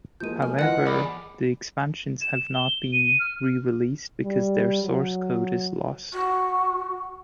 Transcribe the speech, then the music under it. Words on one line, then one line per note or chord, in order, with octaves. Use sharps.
However, the expansions have not been re-released because their source code is lost.
F3 G#3 A#3 G6 D#7
A#4 G#5 F6
E3 E4 F4 D#5 F#5 F#6
G#4 D5 B5 D6
E7
G7
D#7
F6
G3
F#3
F#4